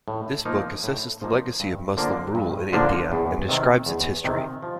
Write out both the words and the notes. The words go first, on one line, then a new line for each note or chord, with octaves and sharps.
The book assesses the legacy of Muslim rule in India and describes its history.
A2
F3 A#3 D#4
A2
F3 A#3 D#4
G2
D3 F3 A#3 D4
G2
D3 F3 A#3 D4
E2
C3 D#3
E2
C3 D#3
F3